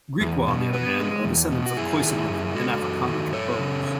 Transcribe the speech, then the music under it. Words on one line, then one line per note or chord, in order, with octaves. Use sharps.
Griqua, on the other hand, are descendants of Khoisan women and Afrikaner Trekboers.
E2
B2
B3
G#3
E2
B2
F#4
F#2 E4 G#4
D#3
F#2
G#3 F#4 A4
F#2
D#3
F#2 A4 C#5
C#3